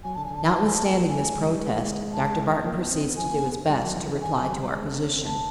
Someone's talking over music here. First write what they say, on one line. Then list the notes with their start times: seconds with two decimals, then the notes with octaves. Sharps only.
Notwithstanding this protest, Dr. Barton proceeds to do his best to reply to our position.
0.04 F#3 G#5
0.15 D3 A5
0.25 G#5
0.30 D3 A5
0.43 D#3 G#5
0.55 G3 A5
0.65 G#5
0.75 A5
0.82 A#3 G#5
1.08 A3 G#5
1.21 A3
1.35 G#3
1.48 G3
1.60 G#3
2.13 A5
2.64 A#3
2.78 B3
2.91 C4
3.05 B3
3.17 F3 G#5
3.30 A#3
3.44 B3
3.69 G3
3.83 F#3
3.96 F3
4.08 E3
4.21 D#3 G#5
4.38 F#3
4.57 G3
4.74 G#3
4.86 A3
5.00 C#4
5.12 C4
5.26 B3 A5